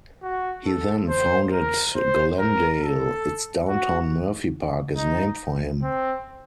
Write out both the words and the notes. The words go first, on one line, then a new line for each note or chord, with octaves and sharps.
He then founded Glendale; its downtown Murphy Park is named for him.
F#4
A4
C5
A#4
C5
A#4
A4
F#4
D#4
C4